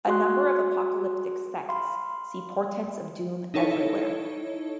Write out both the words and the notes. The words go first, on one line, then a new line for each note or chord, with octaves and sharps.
A number of apocalyptic sects see portents of doom everywhere.
F#4 G#4 C6 F#6
F5 B5 C6
D#4 E4 A4 C#5